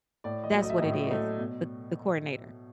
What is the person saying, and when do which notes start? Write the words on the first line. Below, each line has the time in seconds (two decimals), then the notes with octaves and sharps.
That’s what it is, the the coordinator.
0.24 A2 D5
0.44 D#5
0.53 F#3 A3
0.62 D#5
0.70 E5
0.78 D#5
0.82 A2 E5
0.92 D#5
1.00 E5
1.07 F#3 A3 D#5
1.38 B2